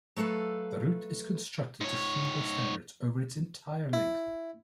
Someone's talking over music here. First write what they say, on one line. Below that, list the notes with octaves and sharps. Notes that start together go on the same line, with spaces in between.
The route is constructed to freeway standards over its entire length.
F#3 A3 A4 B4 F5
G#2 C#5
E4